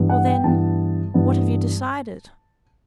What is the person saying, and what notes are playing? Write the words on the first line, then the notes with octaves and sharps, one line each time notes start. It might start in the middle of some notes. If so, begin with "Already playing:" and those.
"Well, then, what have you decided?"
Already playing: G2 E3 B3
F#5
G5
G2 E3 B3 A5
G2 E3 B3